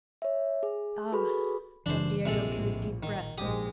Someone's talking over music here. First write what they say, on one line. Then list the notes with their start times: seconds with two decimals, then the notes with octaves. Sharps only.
"Ah!" Don Diego drew a deep breath.
0.22 C#5 E5
0.63 G#4
1.12 F#4 G#4 A4 B4 B5 C#6
1.86 F#1 C#3 E3 D4 C5
2.25 A#1 C3 G#3 A4
2.59 A2
3.03 D#3
3.38 A#1 G#2 G#3 G4 D#6